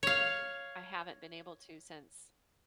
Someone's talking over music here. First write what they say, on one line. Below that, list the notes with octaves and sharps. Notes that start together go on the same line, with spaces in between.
I haven't been able to since
C#5 F5